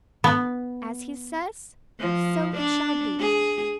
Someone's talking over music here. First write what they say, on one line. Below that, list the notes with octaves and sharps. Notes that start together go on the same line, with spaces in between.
As he says, so it shall be.
B3
F3
D4
G#4